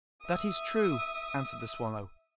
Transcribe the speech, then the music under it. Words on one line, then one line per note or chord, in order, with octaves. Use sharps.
'That is true,' answered the swallow.
E5 D#6